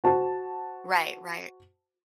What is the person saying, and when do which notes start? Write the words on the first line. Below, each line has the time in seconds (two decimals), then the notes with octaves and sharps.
Right, right.
0.04 F#4 C5 A5